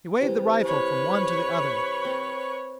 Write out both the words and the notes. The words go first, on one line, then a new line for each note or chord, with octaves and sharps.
He waved the rifle from one to the other.
C3 E3
B4 C#5 C#6
C4